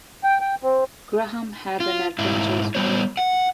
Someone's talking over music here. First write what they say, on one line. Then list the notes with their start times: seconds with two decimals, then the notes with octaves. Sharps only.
Graham had an adventurous moment.
0.24 G5
0.41 G5
0.63 C4
1.80 F4
2.19 G#2 E4 E5 F5
2.75 G3 B3 C5 C#5
3.17 F#5